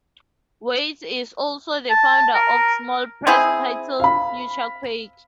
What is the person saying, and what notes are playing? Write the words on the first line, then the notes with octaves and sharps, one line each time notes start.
Wyatt is also the founder of small press title "FutureQuake".
A5
A#4
C4 E4 G#4
F5 B5